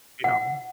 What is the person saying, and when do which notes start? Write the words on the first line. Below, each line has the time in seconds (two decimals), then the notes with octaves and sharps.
yeah, um
0.24 F#5